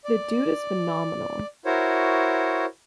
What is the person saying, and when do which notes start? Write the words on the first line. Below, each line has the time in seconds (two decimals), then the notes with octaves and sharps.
The dude is phenomenal.
0.05 D5
1.65 E4 F#4 A#4 C5 C#5